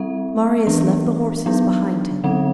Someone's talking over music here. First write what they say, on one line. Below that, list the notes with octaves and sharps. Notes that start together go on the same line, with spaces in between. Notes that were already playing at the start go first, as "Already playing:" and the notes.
Marius left the horses behind him.
Already playing: G3 C4 E5
E3 B3 D4
F#3 B3 D4
D3 F#3 C4 F#5